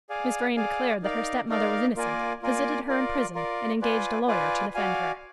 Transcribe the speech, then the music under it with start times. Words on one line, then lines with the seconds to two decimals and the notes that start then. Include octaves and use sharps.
Miss Vrain declared that her stepmother was innocent, visited her in prison, and engaged a lawyer to defend her.
0.09 G#4 D5 F5 G#5
0.56 G#4 D5 F5 G#5
1.02 D#4 A#4 D5 F5
1.49 D#4 A#4 D5 F5
1.96 A#3 F4 A#4 D5 G#5
2.42 A#3 F4 A#4 D5 G#5
2.89 F4 A#4 D5
3.35 F4 A#4 D5
3.81 F4 B4 D5 G#5
4.28 F4 B4 D5 G#5
4.74 F#4 D5 F5 G#5